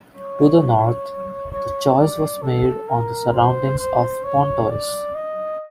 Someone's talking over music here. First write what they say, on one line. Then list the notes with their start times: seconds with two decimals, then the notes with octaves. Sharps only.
To the north, the choice was made on the surroundings of Pontoise.
0.16 C#5
1.52 C#5
1.98 D5
2.42 A4
2.88 A#4
3.33 C5
3.79 C5
4.24 C#5
4.69 D5
5.15 D#5